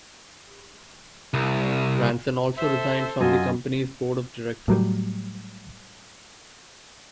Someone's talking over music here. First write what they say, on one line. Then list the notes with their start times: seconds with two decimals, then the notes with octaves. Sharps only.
Ranson also resigned from the company's Board of Directors.
1.34 C2
2.57 A4 C5 E5
3.20 F#2 F4 F#4 D#5 G#5
4.68 A2 F#3 G3